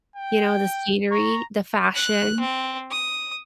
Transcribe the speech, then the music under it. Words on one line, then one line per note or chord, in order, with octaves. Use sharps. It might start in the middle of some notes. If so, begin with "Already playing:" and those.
you know, the scenery, the fashion.
G5
A#5 C#6
F#6
C4
D#6